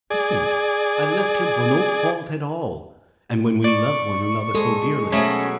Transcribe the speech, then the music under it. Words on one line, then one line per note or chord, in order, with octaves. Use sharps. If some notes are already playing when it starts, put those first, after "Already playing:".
To think I left him for no fault at all; and when we loved one another so dearly!
G#4 D5
D5 C#6
G#3 A4
B2 F#3 A3 C#4